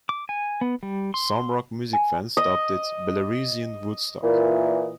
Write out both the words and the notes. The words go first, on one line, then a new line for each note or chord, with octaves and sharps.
Some rock music fans dubbed it Belarusian Woodstock.
D6
G#5
B3
G3
C6
G#5
D#5
A#2 E3